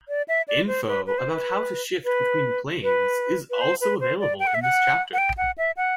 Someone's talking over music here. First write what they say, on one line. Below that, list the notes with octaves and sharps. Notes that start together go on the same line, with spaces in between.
Info about how to shift between planes is also available in this chapter.
D5
E5
D5
C5
B4
B4
C5
B4
B4
B4
B4
C5
B4
C5
D5
G5
F#5
E5
F#5
F#5
G5
F#5
E5
F#5